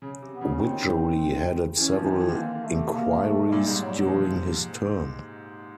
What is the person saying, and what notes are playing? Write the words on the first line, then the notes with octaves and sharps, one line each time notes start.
Widgery headed several inquiries during his term.
C#3
C3
B3
C#3
C#4
D#3 C4
E3 C#4
F3
C#4
D#3 C4
E3
D3
D#3 A#3
D3
A3
C3
B2 A#3
A3
A#2 G3
G#2
F#3
G3
C3 F#3
F3
F3